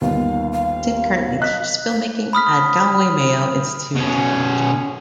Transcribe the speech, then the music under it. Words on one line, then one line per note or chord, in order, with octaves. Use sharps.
Dick currently teaches filmmaking at Galway-Mayo Institute of Technology.
G1 D#2 F5
F5
D#5 F#6 B6
F5
B5 D#6 F6 B6
B2 C#4